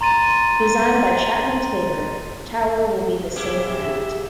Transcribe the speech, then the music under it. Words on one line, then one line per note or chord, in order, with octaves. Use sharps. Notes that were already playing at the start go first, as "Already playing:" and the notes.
Designed by Chapman Taylor, tower will be the same height.
A#5 C6 A6 D#7
A#2 E4 G4 G#4 E5